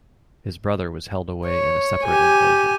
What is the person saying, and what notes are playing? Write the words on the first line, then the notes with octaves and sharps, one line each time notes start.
His brother was held away in a separate enclosure.
C#5
G4 G#5